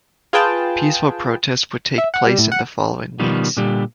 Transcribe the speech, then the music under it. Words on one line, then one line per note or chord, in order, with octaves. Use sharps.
Peaceful protests would take place in the following weeks.
F4 G#4 B4 G5 A5
E5
F#5
G3
A2
F#5
B2 D#3 F3 G3
A#2 D3 G3 G4